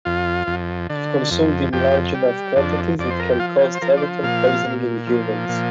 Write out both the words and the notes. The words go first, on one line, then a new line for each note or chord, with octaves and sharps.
If consumed in large enough quantities, it can cause tremetol poisoning in humans.
F2 F4
F2
D3
F2
F2 G4
G3
F2 D4
F2 D5
C5
A#4
G4
F3 F4
G4
C5
F3 A#4
D5
C5
A#2 F5
A#2
F3
A#2